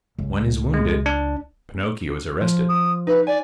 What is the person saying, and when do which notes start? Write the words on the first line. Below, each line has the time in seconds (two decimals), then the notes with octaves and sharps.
One is wounded. Pinocchio is arrested.
0.18 C#2
0.74 G#3
1.06 D4
2.41 F3
2.69 D#6
3.07 D#4 B4
3.27 D5 G#5